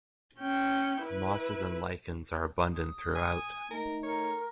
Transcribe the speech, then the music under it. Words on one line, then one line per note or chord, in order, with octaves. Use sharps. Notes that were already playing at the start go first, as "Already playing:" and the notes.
Mosses and lichens are abundant throughout.
C#4 G5
E4 B4
D#6
G#5
A3 D#4 A#4
A#4 C#5